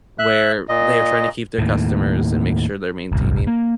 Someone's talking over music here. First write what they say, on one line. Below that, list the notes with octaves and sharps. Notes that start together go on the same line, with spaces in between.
where they're trying to keep their customers, and make sure they're maintaining
E5 F#6
A#2 D#5
D#2 A2
D1 G1 C2
A#3